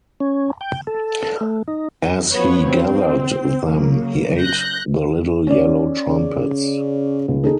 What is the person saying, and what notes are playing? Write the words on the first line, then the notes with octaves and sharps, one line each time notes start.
As he gathered them, he ate the little yellow trumpets.
C#4
G5
A4
A3
D#4
F3 B3 F#4 B4 C#5
C4
C#3 F#3 A#3
F#6 G6 A#6
C#4 D5
C#3
D#1 C#2
D#2 D#4 G#4 A4